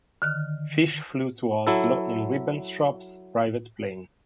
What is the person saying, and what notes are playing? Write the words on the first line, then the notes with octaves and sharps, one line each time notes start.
Fish flew to Oslo in Ribbentrop's private plane.
D3 D#3 F6
F#3 E4 A4